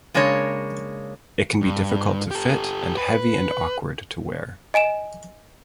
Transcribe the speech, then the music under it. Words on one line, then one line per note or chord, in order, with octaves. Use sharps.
It can be difficult to fit and heavy and awkward to wear.
C#3 G#3 A#3 D4 C#5
G2
G4 A4
B4
D#5 G#5 D7 E7